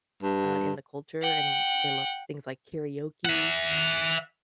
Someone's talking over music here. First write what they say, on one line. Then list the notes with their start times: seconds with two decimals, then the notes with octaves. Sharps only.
uh, in the culture, and they love things like karaoke.
0.23 G2
1.22 F#5 G5
3.25 E5 F#5